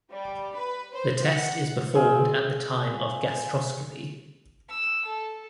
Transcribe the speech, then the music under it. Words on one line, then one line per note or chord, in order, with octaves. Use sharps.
The test is performed at the time of gastroscopy.
G3
B4
C5
F#5
C4 G#4 F5
E6
A4